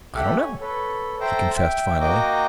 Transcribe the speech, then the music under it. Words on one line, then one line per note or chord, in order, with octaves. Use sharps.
"I don't know," he confessed finally.
G4 A4 E5 F#5
C#5 G#5
A4 B4 C#5
A4 C5 E5 G5 A5 A#5
E5 G5
A#3 F#4 D#5 G5 A#5 D6